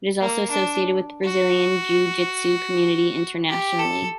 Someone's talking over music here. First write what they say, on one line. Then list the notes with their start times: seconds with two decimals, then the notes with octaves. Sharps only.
It is also associated with the Brazilian jiu jitsu community internationally.
0.21 A#3
0.51 D4
1.25 F#4
3.49 G4
3.79 A4